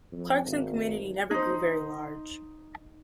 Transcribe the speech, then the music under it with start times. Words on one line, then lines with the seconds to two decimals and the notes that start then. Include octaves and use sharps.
Clarkson community never grew very large.
0.12 F2
0.46 G#1
1.31 D#4 C5